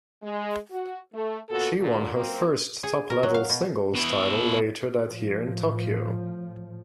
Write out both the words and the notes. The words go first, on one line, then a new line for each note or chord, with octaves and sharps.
She won her first top-level singles title later that year in Tokyo.
G#3
F#4
A3
A#2 B3 F#4 A4
A#2 D3
F#2 A#3 C4
G#4
A#4
F#3
F5
B2
B2 E4
A2 F3